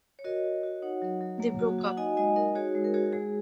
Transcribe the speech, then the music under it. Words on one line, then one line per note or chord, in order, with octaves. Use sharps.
They broke up.
C#5
F#4 A#4 D#5
F#4
F#4
D#4 C#5 F#5
F#3
F#3
A#3
F#4
F#4
F#5
D#4 D#5 G#5
G#3 D#5 G#5
D#4 A#4 D#5
F#4 G#4 C#5
G#3
A#4
F#4 G#4 C#5
G#3 G#4